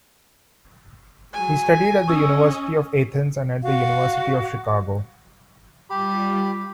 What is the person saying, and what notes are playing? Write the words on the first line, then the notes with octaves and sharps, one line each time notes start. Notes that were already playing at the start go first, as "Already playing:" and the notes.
He studied at the University of Athens and at the University of Chicago.
F#3 G#3 G#5
C#4 D#5 C#6 D#6 E6
F#4 F5
G3 F4 G4 B5